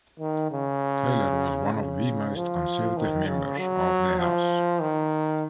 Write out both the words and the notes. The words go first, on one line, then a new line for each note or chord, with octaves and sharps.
Taylor was one of the most conservative members of the House.
D#3
C#3
C#3
F3
D#3
C#3
F#3
F3
D#3